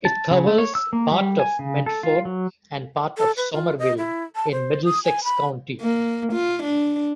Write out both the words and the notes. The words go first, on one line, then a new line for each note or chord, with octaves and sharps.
It covers part of Medford and part of Somerville in Middlesex County.
A5
C#3
A3
C#5
E6
A#3
G3
G#5
C#3
A4
F4
F#3
A4
B4
F4
D#5
E4
A5
C5
D#6
G#5
B5
A#3
F4
D4